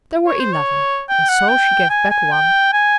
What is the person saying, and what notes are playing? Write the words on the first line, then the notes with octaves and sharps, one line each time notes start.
There were eleven, and so she gave back one.
C#5
C5
C#5
G5
F#5
G5
G#5
G#5
G5
G#5